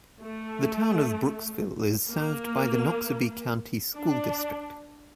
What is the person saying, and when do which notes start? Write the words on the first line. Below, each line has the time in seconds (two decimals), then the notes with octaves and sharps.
The town of Brooksville is served by the Noxubee County School District.
0.22 A3
2.08 A#3
3.96 D4